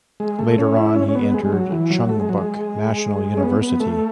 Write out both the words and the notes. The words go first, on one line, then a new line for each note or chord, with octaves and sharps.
Later on, he entered Chungbuk National University.
G#3
A3
C#4
E4
C#4
C#4
B3
G#3
G#3
F#3
E3
F#3
A3
G#3
F#3
G#3
C#4
B3
B3
A3